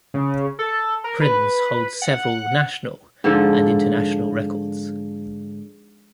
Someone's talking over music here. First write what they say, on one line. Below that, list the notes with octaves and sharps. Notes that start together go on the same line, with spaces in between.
Prinz holds several national and international records.
C#3
A4
A#4
B4
F#5
G#2 D3 F3 A4